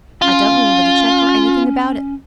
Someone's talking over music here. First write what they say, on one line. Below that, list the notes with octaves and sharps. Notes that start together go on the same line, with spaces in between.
I don't remember the cheque or anything about it.
C#4 F4